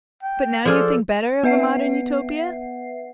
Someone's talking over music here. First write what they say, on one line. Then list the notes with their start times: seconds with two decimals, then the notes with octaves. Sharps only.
But now you think better of a modern Utopia?
0.23 G5
0.65 F3 G#4 A4 C5 D5 F6
1.43 B3 B4 E5 F#5 C7